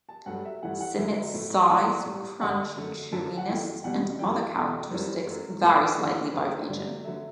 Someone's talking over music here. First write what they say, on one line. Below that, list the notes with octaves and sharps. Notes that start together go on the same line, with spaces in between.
Simit's size, crunch, chewiness, and other characteristics vary slightly by region.
A5
G2 F#3 A3 F#5
E5
G2 E3 A3 F#5
F#5
F#2 D3 F#3 A3 E5
A2 F#3 A3
A2 E3 A3
A2 G3
G2 D3 G3 F#5
F#2 D3 A3
F#2 D3 A3 A5
F#5
F#2 E3 A3 G5
E2 B2 G3 F#5
F#2 E3 G3 G5
E2 B2 A3
F#2 E3 G3 C5
F#2 F#3 A3
A2 F#3 A3 B4
F#2 E3 A3 A4
F#2 D3 F#3 A3 B4
C5
G2 D3 F#3 A3 D5
D3 F#3 A3 E5